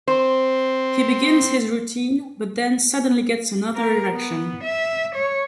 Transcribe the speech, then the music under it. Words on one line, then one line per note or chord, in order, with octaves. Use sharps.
He begins his routine, but then suddenly gets another erection.
C4 C5
A#4
B3
E5
C#5